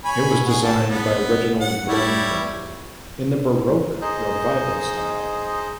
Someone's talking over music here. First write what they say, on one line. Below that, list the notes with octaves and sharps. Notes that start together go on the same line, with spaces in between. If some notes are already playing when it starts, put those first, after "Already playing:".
It was designed by Reginald Blomfield in the Baroque revival style.
C#5 G#5 B5
F#4 G#4
A5
B3
F#5
G3 E4 C#5
D#4 G#4 C5 D#5